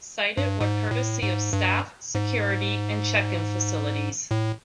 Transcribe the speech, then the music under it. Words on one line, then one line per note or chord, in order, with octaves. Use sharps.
Cited were courtesy of staff, security, and check-in facilities.
G2
G#2
A2
G#2
G2
G#2
A2